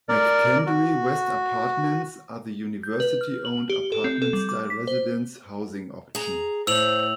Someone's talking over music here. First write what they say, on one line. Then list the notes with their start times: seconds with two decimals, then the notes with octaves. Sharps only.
McKendree West Apartments are the university-owned apartment-style residence housing option.
0.09 A#4 D5
0.67 F#4
2.83 G6
3.00 B4
3.21 F6
3.45 F#7
3.70 G4
3.92 A4
4.04 C4
4.22 A4
4.33 G3
4.49 D6
4.70 B6
4.87 C5
6.15 G#4 A#5
6.67 A2 C5 E6 F7 F#7